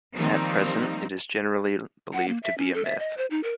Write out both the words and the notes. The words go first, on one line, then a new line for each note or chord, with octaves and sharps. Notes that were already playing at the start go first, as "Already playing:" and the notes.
At present, it is generally believed to be a myth.
D#3 F3 G3 A#3 C4 D#4
F#5
A#3
E5
C#4
A4
E5
D#5
C5
D#4
A#4